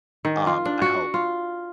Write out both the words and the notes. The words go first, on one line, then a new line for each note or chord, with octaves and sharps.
um, I hope,
D#3
F4
D4
F#4
F4